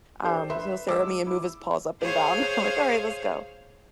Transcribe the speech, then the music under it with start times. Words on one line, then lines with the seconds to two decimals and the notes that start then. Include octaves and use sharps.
Um, he'll stare at me and move his paws up and down. I'm like, "Alright, let's go."
0.22 D4 G4 A4 C5 D5
0.50 B4 E5 C6
0.86 G#3 D6 E6
1.27 E4
2.00 G#4 C5 C#5 F5